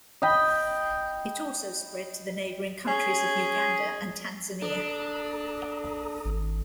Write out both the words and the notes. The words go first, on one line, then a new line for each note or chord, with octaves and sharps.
It also spread to the neighboring countries of Uganda and Tanzania.
D#5 G5 B5
C#4 G#4
D4 A4 A#5 D#6
G#1